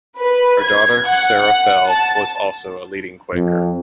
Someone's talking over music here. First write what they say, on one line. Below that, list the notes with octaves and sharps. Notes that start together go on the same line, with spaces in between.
Her daughter Sarah Fell was also a leading Quaker.
B4
G#6
F#5
F#5
A5
F2